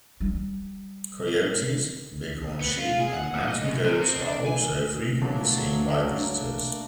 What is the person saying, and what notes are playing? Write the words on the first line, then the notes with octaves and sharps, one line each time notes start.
Coyotes, bighorn sheep and mountain goats are also frequently seen by visitors.
G3
B3
F4
G#4
F#5
A#2
D#5
F#2
C3
C4
D4
G#5
E3 F#3 A3 A#3 D4 A5